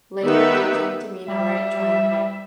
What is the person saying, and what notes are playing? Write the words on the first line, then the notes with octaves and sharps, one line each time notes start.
Later, they came to mean a right triangle.
D#3 B3 D#4 G4 B4 E5
G3 E5